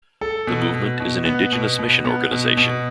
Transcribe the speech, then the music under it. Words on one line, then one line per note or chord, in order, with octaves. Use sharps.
The movement is an indigenous mission organization.
A4
B2
B2
B2
B3
B2
B2
B3
B2
B2